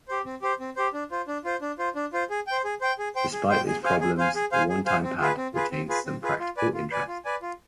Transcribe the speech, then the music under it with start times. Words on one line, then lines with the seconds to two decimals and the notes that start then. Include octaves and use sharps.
Despite its problems, the one-time-pad retains some practical interest.
0.08 G4 C5
0.25 C4
0.42 G4 C5
0.60 C4
0.76 G4 C5
0.94 D4
1.11 F4 C5
1.28 D4
1.45 F4 C5
1.62 D4
1.79 F4 C5
1.95 D4
2.13 F4 C5
2.30 G#4
2.47 C5 G5
2.64 G#4
2.81 C5 G5
2.99 G#4
3.16 C5 G5
3.33 G#4
3.49 C5 G5
3.67 G#4
3.84 C5 F5 G#5
4.01 G#4
4.18 C5 F5 G#5
4.35 G#4
4.52 C5 F5 G#5
4.69 G#4
4.86 C5 F5 G#5
5.03 C4
5.20 F4 G#4 B4
5.37 C4
5.55 F4 G#4 B4
5.71 C4
5.89 F4 G#4 B4
6.05 C4
6.22 F4 G#4 B4
6.40 F4
6.57 B4 D5 G#5
6.74 F4
6.91 B4 D5 G#5
7.08 F4
7.25 B4 D5 G#5
7.42 F4